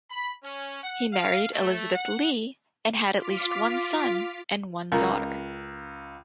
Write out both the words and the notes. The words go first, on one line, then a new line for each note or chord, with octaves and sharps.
He married Elizabeth Lee and had at least one son and one daughter.
B5
C#4
F#5
F5
A3
F#5
F4 D6 F6 B6
C#2 C#4 F4 A#4 A#5